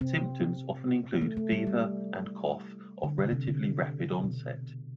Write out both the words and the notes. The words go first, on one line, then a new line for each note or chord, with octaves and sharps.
Symptoms often include fever and cough of relatively rapid onset.
C3 C4
A3
A3
G3
G3
D3
C3
C3
D3
B2